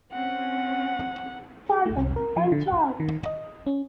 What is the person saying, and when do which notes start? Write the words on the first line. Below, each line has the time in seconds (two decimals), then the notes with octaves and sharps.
Part of the Punch-Out!!
0.13 C4 C#4 F#5
1.70 G#4
1.86 A3
1.97 C2
2.16 A#4
2.36 F3
2.52 D3
2.67 F#5
3.00 D#3
3.26 D#5
3.66 C#4